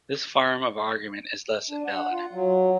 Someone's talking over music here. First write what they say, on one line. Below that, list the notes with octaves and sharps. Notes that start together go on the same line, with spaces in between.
This form of argument is thus invalid.
D4
F#5
F4
F#3